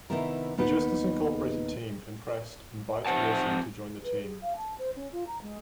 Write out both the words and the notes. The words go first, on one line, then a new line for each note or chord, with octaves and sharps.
The Justice Incorporated team, impressed, invites Wilson to join the team.
C3 D#3 B3 E4 A#4
D#2 B3 D#4 B4 F#5
F2 E3 C5 F#5 A5
B4
G#4
F5
A5
C5
C#4
F4
A#5
G#3